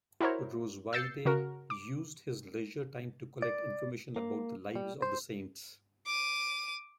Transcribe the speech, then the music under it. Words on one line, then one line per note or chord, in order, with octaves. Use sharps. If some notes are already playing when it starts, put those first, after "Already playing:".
Rosweyde used his leisure time to collect information about the lives of the saints.
E4 F#4 A#4 C5 C#5
E6 G6 A6 C7 C#7
C#3 F#4 A#4
D6
D5
A#3
G3
C5
D6 D#7